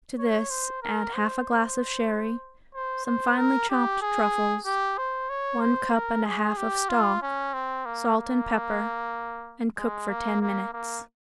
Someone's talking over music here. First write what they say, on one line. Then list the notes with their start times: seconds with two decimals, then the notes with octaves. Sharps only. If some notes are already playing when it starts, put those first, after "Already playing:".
To this add half a glass of sherry, some finely chopped truffles, one cup and a half of stock, salt and pepper, and cook for ten minutes.
0.19 C#5
0.50 C5
0.83 A#4
1.14 C5
2.74 C5
3.06 C5
3.38 A#4
3.70 G4
4.02 G#4
4.66 G4
4.98 C5
5.30 C#5
5.61 C5
5.94 A#4
6.26 G#4
6.57 G4
6.89 F4
7.22 C#4
7.53 C4
7.85 A#3
8.17 A#3
9.77 G#3
10.09 A#3
10.41 A#3
10.73 A#3